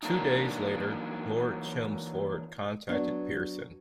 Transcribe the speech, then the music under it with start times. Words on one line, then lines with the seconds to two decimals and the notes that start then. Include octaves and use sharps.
Two days later, Lord Chelmsford contacted Pearson.
0.03 E3 F#3 A#3 D4 D#4
2.89 F#3 B3 D4